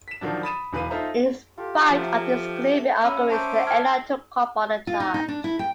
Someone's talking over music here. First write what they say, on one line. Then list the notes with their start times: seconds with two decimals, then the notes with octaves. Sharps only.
In spite of these gloomy auguries the airline took off on the charge.
0.08 B6 E7
0.21 D#3 F3 F#3 D4
0.43 B5 D#6 A6 D#7 E7
0.73 E1 E3 B4 F5 D#7
0.90 D#4 F4 A4 C5 E5 A#5
1.58 F4 G4 A4
1.90 F3 F#3 A3 C4
2.74 A4 E5
3.04 A#3 C#4 C#5 A#5 B5 E6
3.30 C5 E5 A5 C#6 D6 G6
3.67 A5 F6 G#6
4.87 F4
5.00 D#4
5.14 D#4
5.28 D4
5.44 E4
5.59 G5